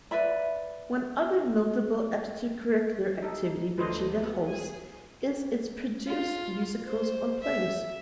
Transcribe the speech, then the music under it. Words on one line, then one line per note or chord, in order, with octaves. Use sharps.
One other notable extracurricular activity Regina hosts is its produced musicals or plays.
B4 D5 E5 B5
D#4 A4
D2 D3 B4 C5 D#5
B3
G#4 G#5
F4
C5
E5